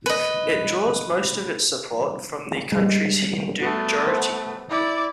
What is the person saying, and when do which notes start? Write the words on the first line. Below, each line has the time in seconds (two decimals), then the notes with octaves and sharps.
It draws most of its support from the country's Hindu majority.
0.06 B4 D#5
2.72 G3 G#3
3.61 A3 B3 F#4
4.07 C5
4.69 E4 D5